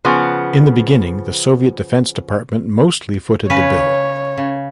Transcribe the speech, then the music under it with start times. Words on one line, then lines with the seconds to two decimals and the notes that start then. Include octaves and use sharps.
In the beginning, the Soviet Defense Department mostly footed the bill.
0.05 C#3 F3 B3
3.50 C#3 C#4 B4 C#5
4.38 C#3